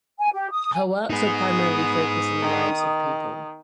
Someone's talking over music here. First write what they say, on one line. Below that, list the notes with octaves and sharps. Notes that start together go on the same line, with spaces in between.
Her works were primarily focused on the lives of people.
G#5
G4
D#6
G#5
B3 D#4 G#4 D#6
D#3